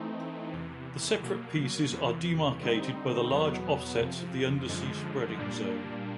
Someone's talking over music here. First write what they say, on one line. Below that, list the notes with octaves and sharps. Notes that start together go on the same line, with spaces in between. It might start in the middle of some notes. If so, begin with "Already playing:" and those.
The separate pieces are demarcated by the large offsets of the undersea spreading zone.
Already playing: E3 A3 C4 D#4
E2 C3 E3
B2 F#3 A#3
E2 C3 E3
D3 G3 C4 D#4
E2 B2 F#3 B3
F2 C3 F3
F#2 D3 F3 G#3
A#2 G3 A#3 D4